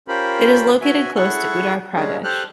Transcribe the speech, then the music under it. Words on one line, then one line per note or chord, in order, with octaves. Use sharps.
It is located close to Uttar Pradesh.
C#4 F4 G4 A#4 C5 B5
F#4 E5 G#5
E4 G#4 A4 F#5 C#6
G3 G#3 C#4 D4 G#4
G4 A4 C5 F6 F#6